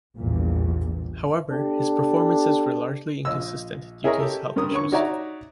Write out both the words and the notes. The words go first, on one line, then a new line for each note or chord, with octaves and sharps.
However, his performances were largely inconsistent due to his health issues.
A#1 E2 G2 A#2
B3 D4 G4 A4
A#1 D#5 E6
E4 G#4 A#4 C#5 D#5 A#5
G4 A4
G2 A#4 D#6
D3 C#5 C#6
D#4 F#4 C#5 D5 E5 A#5